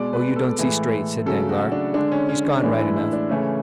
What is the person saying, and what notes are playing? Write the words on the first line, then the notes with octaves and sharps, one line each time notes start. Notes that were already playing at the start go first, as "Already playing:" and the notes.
"Oh, you don't see straight," said Danglars; "he's gone right enough."
Already playing: B2 G#3 D5
B4
A4
A2 E3 G#3
C#3 F#3 A3 A4
F#4
D4
D3 G#3 D4
C#4
C#4
C#4
A2 E3 G#3 D4
E4
E4
D4
C#3 E3 A3 C#4